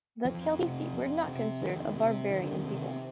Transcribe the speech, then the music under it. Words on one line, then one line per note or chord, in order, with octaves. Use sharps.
The Celtici were not considered a barbarian people.
F2 F3
C3
F2
C3
F2 D#3
D#3
C3
F2 D#3
D3
D#3
C3